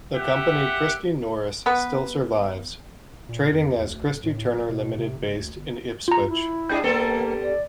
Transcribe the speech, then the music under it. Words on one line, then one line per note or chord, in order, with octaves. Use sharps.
The Company Christy Norris still survives, trading as Christy Turner Limited based in Ipswich.
G4 E5 F#5
B3 B4
A#2
F2
E2
D2
D1
A2
D1
B2
C3
F#1
D2
G1
F4 A#5
E4
G#2 D4 G#4 G6
G3 A#3 B3 A4
D5